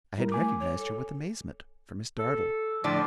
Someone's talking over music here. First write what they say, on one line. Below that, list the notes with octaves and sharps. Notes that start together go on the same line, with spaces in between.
I had recognized her with amazement, for Miss Dartle.
G3 E4 A#4
A3 G#5 D6
C#5
A4
A4
A2 D3 F3 D5